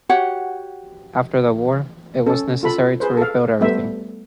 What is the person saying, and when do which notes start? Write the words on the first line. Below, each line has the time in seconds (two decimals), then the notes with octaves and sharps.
After the war, it was necessary to rebuild everything.
0.09 F#4 G4 C#5 F#5
2.26 C#4 A4
2.63 F4 A4 B5
3.00 G#4 B4 C5
3.17 A4 F5
3.61 G3 A3 B3 C5 E5